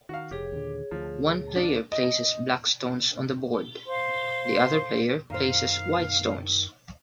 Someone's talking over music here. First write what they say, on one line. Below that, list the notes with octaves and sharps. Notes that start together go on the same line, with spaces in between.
One player places black stones on the board; the other player places white stones.
D#3 F#4 F5
F1 G4 G#4 C#5
D#2 A#2 D3
D2 F3
D4 F4
D#5
C5 F5 C6
F#2 D#3 C5 F5